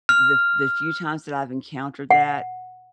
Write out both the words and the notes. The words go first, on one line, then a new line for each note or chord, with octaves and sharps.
the f the few times that I've encountered that
F6
F#5